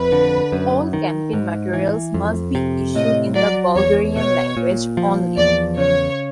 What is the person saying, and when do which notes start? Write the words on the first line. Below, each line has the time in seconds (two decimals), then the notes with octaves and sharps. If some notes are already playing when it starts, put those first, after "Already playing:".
All campaign materials must be issued in the Bulgarian language only.
Already playing: F2 B4
0.12 D3
0.52 F#2
0.93 D#3
1.34 G#2
1.73 E3
2.14 F2
2.55 C3
2.95 A2 D#5
3.36 F#3 D5
3.76 E2 C#5
4.16 B2 C#5
4.57 A#2
4.97 F3
5.37 E2 D5
5.78 C#3 C#5